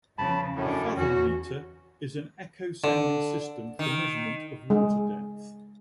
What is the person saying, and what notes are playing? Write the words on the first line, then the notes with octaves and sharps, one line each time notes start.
The fathometer is an echo sounding system for measurement of water depth.
E2 C#3 F3 A5 B5
F#2 A2 C#4 D4
E2 C#4 F#4
D3
D#3
G#3